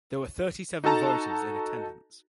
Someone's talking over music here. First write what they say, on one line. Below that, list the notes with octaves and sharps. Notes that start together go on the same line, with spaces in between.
There were thirty-seven voters in attendance.
D#4 F#4 A4 A5 A#5